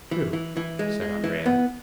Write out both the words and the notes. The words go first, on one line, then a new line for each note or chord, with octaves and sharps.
"True," said Andrea.
E3
E3
E3
G#3
G#3
E3
B3